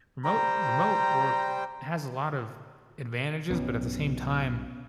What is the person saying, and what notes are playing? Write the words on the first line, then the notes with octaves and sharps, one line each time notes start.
remote remote work has a lot of advantages, but, at the same time,
G3 C5 G5 A#5
B1 G2 B2 B3 C#4